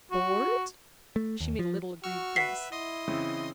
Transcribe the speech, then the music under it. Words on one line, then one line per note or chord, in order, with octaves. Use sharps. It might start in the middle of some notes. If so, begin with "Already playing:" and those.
"BORED?" She made a little aggrieved grimace.
F#4
A3
D#2
F3
F#4 C#6 E6 F6
B4 E5 F#5 B6 C7
E4 D#5 C6 D#6
C#3 E3 C4